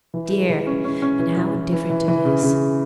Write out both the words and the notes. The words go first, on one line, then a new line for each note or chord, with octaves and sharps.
Dear! and how different it is!
E3
G#3
E3
C#4
C#4
C#4
E3
E3
E3
E3
E3
E3
C#3
C#3